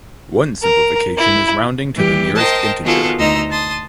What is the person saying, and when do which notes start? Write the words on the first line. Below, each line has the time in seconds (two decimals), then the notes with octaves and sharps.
One simplification is rounding to the nearest integer.
0.62 A#4
1.17 E4
1.95 E3 G3 G4
2.36 A#4 C5 D#5 G5 A5
2.83 D#3 B3 F4 F#4 G#4 A4
3.18 D2 D#4 D#5 A#5 C6 E6
3.50 A5 C6 D#6